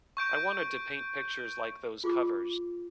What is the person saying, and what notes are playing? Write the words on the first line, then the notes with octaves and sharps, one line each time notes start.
I wanted to paint pictures like those covers.
C#6 G6 D7
F4 G#4 D6